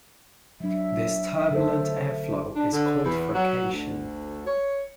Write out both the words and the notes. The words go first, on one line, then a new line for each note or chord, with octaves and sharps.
This turbulent airflow is called frication.
F#3 D4 E5
D3 A4 C5
D4
D3
E2
F#3
D2
C#5